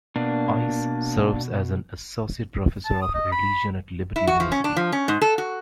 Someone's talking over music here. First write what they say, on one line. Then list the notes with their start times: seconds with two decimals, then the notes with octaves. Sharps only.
Ice serves as an Associate Professor of Religion at Liberty University.
0.16 B2 A#3 D4
2.85 A5
3.02 D#6
3.14 D#5
3.32 B5
4.16 E4
4.27 F#4
4.40 F3
4.52 C#4
4.64 D4
4.76 F3
4.92 C#4
5.08 G#2
5.22 A4
5.38 F#4